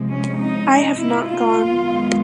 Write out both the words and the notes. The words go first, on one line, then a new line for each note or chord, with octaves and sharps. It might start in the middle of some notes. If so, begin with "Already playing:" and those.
I have not gone.
Already playing: C3 F3 G#3 C4
C#4
D#4
E4
F4
F#2 D#3 G#3 B3